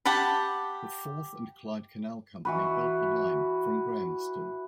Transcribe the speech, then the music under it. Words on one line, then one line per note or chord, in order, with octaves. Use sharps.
The Forth and Clyde Canal company built the line, from Grahamston.
G4 F#5 A5 B5
E3 F#4 B4